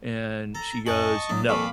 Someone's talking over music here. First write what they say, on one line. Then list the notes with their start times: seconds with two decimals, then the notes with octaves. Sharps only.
And she goes, "No,"
0.55 A4 A#5
0.87 F#2 D#5 G#5 A5 B5 C#6
1.29 F#3 A3 D4 D#6
1.49 F2 A#2 G3 A4 F5 B5 C#6 D6